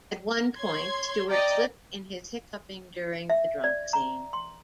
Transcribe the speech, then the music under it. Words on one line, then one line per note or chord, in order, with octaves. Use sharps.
At one point, Stewart slipped in his hiccuping during the drunk scene.
C#5 C6 G#6
D5 D#5 G5 A#5
E5
D5
A#5
C6